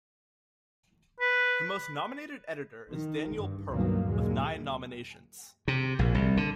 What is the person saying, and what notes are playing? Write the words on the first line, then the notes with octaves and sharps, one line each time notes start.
The most nominated editor is Daniel Pearl with nine nominations.
B4
D#3
G2
C#2 G2 B2 D#3 F#3 A#3
D#2 A#2 F#3 G#3 A#3
C3
A#1
C2
D3